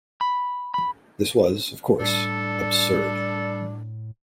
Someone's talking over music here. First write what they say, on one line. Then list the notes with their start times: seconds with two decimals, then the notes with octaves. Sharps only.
This was, of course, absurd.
0.21 B5
0.74 B5
2.00 A2 G3 D4 A4